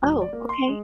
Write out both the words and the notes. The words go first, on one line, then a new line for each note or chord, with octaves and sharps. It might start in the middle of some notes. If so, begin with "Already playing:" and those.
Oh, okay.
E1
D5
A#3
C6
G#3